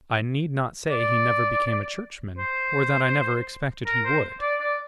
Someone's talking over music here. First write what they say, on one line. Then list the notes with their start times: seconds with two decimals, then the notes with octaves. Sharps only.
I need not say he never became a churchman, or that I never expected he would.
0.90 D5
2.38 C5
3.86 A#4
4.05 C5
4.41 D5
4.60 D5